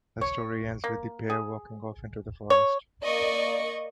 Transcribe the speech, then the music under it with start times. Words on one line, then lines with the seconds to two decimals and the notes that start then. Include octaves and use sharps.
The story ends with the pair walking off into the forest.
0.21 C#5
0.84 A#3
1.30 G#4
2.50 C#5
3.03 A#3 D5 D#5 C#6